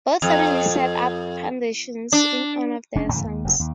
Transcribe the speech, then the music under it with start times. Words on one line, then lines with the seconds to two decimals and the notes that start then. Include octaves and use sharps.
Both families set up foundations in honor of their sons.
0.22 F2
2.12 D4
2.95 F1 C#4 D4
3.12 G2 C#3 E3 A3
3.25 D#2
3.44 F#1 F2 A#2 C#3
3.60 D#2